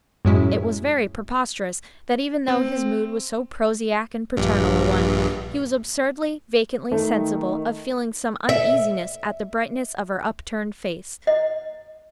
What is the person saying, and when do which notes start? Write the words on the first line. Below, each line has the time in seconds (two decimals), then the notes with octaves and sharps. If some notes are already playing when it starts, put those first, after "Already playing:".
It was very preposterous, that even though his mood was so prosaic and paternal a one, he was absurdly, vacantly sensible of feeling some uneasiness at the brightness of her upturned face.
0.25 F#2 A2 F#3 G#3 C#4 E4
2.48 C4
4.37 A#1 G2
6.92 D#3 A3
8.49 E5
11.27 D#5